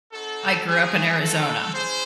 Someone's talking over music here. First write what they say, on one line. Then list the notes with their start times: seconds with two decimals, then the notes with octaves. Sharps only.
I grew up in Arizona.
0.13 C4 D#4 F#4 A4
0.67 A3 C#4 E4 G#4
1.20 A3 C4 F#4 A4
1.74 C#4 E4 G#4 C5